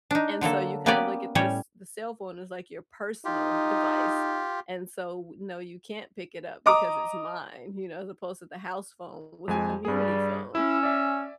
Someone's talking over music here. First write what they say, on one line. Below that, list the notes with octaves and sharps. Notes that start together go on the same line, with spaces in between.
And so, you kind of look at this the cell phone as like your personal device, and so, w no, you can't pick it up because it's mine, you know, as opposed to the house phone was a community phone.
D4 D#4
D3 F#3 A#3 A4
A#3 B3 C#4 G4 B4 D5
A2 G3 C#4 C#5
D#4 F4 G4
D#5 A#5 D6 D#6
F2 G#3 G#5
G2 G3 G#4
C#4 E4 E6
D5 E5 G#5